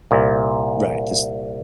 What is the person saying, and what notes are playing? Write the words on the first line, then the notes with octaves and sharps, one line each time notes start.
Right, this
C2 A#2